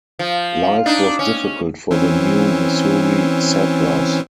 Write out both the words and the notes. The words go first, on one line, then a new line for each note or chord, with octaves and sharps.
Life was difficult for the new Missouri settlers.
F3
D4 D#4
C#4
E3 C4 C#4